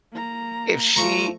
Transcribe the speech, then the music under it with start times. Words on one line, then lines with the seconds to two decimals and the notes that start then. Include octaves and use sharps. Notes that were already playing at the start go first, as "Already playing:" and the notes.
if she
0.13 A#3 A#5
0.96 F3 A3 A#5 C#6